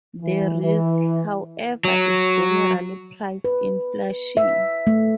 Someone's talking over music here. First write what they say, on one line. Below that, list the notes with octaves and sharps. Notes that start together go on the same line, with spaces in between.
The risk, however, is general price inflation.
E3
E3
F#3
B4
E5
A3